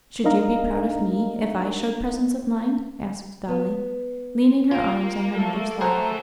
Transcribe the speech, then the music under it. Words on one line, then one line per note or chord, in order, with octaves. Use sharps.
"Should you be proud of me if I showed presence of mind?" asked Dolly, leaning her arms on her mother's lap.
D4 D#4 A#4 D#5 F5 A#5
B3
A#3 F4
A3 A4
F#4 G#4 A#4 C5 F#5 A#5